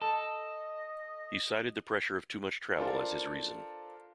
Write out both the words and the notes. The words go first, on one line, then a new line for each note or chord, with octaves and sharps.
He cited the pressure of too much travel as his reason.
A4 D#5
D4 F4 A4 A#4 C5